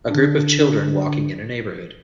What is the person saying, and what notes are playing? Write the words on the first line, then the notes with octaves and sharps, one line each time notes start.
A group of children walking in a neighborhood.
D3 D4